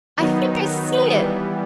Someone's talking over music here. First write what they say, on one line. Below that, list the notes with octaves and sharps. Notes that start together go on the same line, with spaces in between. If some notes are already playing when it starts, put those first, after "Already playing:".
"I think I see it."
D#3 F#3 B3 D#4
E3 G3 B3